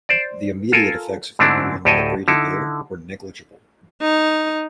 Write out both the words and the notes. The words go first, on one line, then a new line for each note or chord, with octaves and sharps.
The immediate effects of the ruling on the Brady Bill were negligible.
C5 D5
F4 A4 A#4 G#5
G#2 D3 A3 C4 D4 E4
D2 A2 G4 A4 D#5 G#5
D3 D#4 E4
D#4